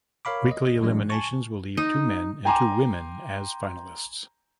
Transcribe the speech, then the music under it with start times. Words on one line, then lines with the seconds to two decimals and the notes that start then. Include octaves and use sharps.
Weekly eliminations will leave two men and two women as finalists.
0.25 A#4 C#5 F5 B5 D6
0.51 D#5
0.81 A2 E3 F#3 G#3 D4
1.10 G#5 A5 C#6
1.77 D#4
2.45 G5 G#5 A#5 C6 D6